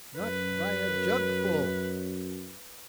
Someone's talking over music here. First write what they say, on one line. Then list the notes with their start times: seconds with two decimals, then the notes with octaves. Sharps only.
"Not by a jugfull!"
0.20 F#2 B4